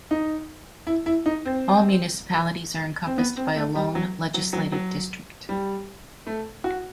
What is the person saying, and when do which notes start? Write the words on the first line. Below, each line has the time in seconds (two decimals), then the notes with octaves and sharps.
All municipalities are encompassed by a lone legislative district.
0.11 D#4
0.87 E4
1.06 E4
1.26 D#4
1.45 C4
3.07 C4
3.18 B3
3.37 C4
3.56 A3
3.75 G3
3.95 F#3
4.34 F#3
4.53 F#3
4.72 F#3
5.49 G3
6.27 A3
6.64 F#4